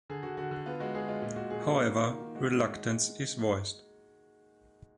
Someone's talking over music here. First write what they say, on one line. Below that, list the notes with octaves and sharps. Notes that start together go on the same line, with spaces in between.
However, reluctance is voiced.
D3 G#4
D3 F#4
D3 F#4
D3
B3 F4
G#3 F#4
G#3 G#4
G#3 F4
A#2 F4
A#2 F#4
A#2 G#4
B3 F#4
A#3 F4
F#4
D#3
D#3
D#3
G#3 F#4
G#3